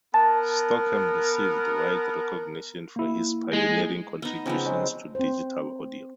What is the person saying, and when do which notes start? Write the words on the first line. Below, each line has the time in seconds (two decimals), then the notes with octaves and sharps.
Stockham received wide recognition for his pioneering contributions to digital audio.
0.14 B3 A#4 A5
2.96 A#3 E4
3.53 G#3
4.22 B3 D#4
4.46 C#3 F3 B3 C4 G#4
4.66 F#3 G#3
5.15 C4 C5